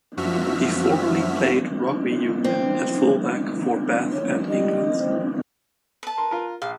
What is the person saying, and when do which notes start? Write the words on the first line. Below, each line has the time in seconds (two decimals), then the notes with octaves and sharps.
He formerly played rugby union at fullback for Bath and England.
0.17 F#2 F3 F#4 E5 F6 B6
2.44 C4
4.12 C#5
4.49 G3 D#5
5.00 C4
6.03 B4 A5
6.18 A#4 C6
6.31 F4 A#4
6.62 A#1 F5